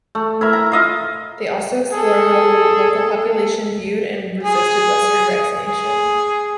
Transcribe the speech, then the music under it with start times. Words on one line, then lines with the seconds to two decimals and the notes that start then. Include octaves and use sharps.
They also explore how the local population viewed and resisted western vaccination.
0.15 A3
0.41 E4 A#4 E5
0.53 A#5
0.72 F4 D#5 F5
1.93 G#4 A4
4.43 G#4
5.66 G#4